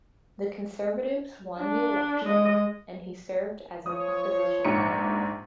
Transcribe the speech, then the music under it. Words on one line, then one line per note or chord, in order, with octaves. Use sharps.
The Conservatives won the election, and he served as an opposition member.
D4
G#3 D#5
F3 C#5 D#6
A#1 G#2 C#7